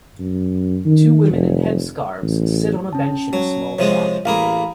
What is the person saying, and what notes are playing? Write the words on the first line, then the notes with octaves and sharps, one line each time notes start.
Two women in headscarves sit on a bench in a small shop.
F#2
D#3
F1
A1
C#4 A5
F#3
C3 F3 G#3 C#5
A1 A#3 G#4 F5 A#5 B5